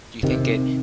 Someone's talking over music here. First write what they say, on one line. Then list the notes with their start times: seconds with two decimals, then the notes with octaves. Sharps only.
Do you think it
0.23 C3 D#3